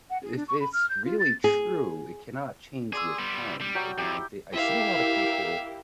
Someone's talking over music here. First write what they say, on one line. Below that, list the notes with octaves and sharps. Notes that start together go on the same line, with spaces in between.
if it's really true, it cannot change with time, like, I d I see a lotta people
F#5
G#4
D4
C#6
B5
F6
G6
F4
A6
G#4
G#4 D5 C6 E6
G3 B3
G3
F#3 G5 A#5
F2 E4 G4
E4 G4 A#4 E5 F5